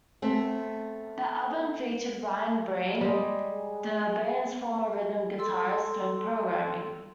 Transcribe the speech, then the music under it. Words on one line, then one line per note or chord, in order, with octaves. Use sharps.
The album featured Ryan Breen, the band's former rhythm guitarist, doing programming.
A3 B3 C4
G3 G#3
G#4
A4 C6 E6